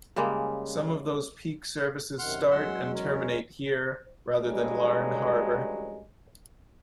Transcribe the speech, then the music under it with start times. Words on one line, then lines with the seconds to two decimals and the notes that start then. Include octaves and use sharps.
Some of those peak services start and terminate here rather than Larne Harbour.
0.16 C#3 G3 G#3 A#3
2.19 F#2 C3 D#3 F#5 C6 F6
2.51 E2 F#3 G#3 C#4 F#5 C6 E6
2.94 A#4 C#5
4.42 A1 G2 F#3 G#3